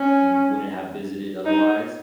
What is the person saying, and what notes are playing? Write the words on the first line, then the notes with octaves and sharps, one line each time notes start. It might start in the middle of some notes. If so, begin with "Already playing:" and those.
w wouldn't have visited otherwise,
Already playing: C#4
D#4